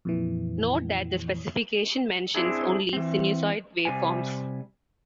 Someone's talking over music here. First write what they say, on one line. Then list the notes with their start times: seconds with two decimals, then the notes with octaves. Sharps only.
Note that the specification mentions only sinusoid waveforms.
0.05 F2 A#2 E3
2.35 C4 D4 E4 G#4
2.93 E3 C4
3.85 C3 G3 G#5